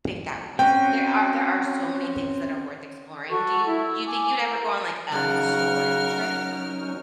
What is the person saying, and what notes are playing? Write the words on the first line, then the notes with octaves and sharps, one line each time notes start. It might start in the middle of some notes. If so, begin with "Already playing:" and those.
think that would be a cool There are, there are so many things that are worth exploring, do you do you think you'd ever go on like a historic trip,
C4 C#4 F#4 G5
F#4 A4 C#6
E4
E6
G#5 D6
A#4
C#3 F#3 C#4 D#4 A#4 F#5 F6